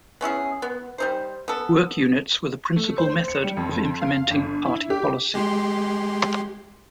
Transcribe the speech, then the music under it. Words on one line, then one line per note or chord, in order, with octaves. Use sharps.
Work units were the principal method of implementing party policy.
B3 C#4 E4 G#4
B3
G3 D#4 C5
B3 A4
A3
C5
C#7
G3
F2
F5
G1
E4
G4
G#3 G4 C6